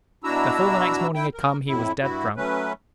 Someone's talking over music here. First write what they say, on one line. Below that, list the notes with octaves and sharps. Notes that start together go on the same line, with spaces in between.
Before the next morning had come he was dead drunk!
B2 D4 E4 F#4 A#5 E6
E4 G5
A#4
F2 A2 E4
G2 E4 F#4
F#3 A3 C#4 B4